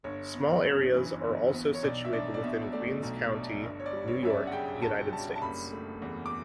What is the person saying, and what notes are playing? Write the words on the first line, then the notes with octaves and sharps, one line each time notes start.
Small areas are also situated within Queens County, New York, United States.
G1 C#5
B3
F#2
E3
G1
B3
C#5
B1 D5
E5
D4 D5
D5
B2 E5
A3 D5
B1
D4
G1
C#5
D5
G3
C#5
F#2 E5
D5
F#5
C#3 G5
G1 A5
G3 A5
A5
F#1 B5
A3
E2
D6